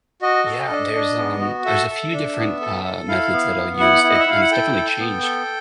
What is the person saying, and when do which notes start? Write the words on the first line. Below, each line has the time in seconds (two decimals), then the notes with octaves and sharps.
Yeah, there's, um, there's a few different, uh, methods that I'll use, it and it's definitely changed,
0.22 F#4 D#5
0.46 A4
0.70 D4
0.94 D4
1.18 B3
1.41 F#4
1.65 A4 E5
1.89 A4
2.13 D4
2.37 B3
2.61 A4
2.85 A4
3.08 E4 F5
3.33 B3
3.56 B3
3.79 E4 F#5
4.03 E4
4.10 D#5
4.20 E5
4.28 E4 F5
4.41 F#5
4.52 A4 G5
4.75 A4
4.99 B3
5.23 A4